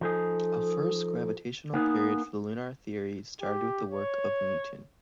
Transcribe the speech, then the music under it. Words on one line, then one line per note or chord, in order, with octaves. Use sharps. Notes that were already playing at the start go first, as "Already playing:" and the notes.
A first gravitational period for lunar theory started with the work of Newton.
F3 D#4 G#4 A4
A#3 B3 D#4 G#4
G4
C#5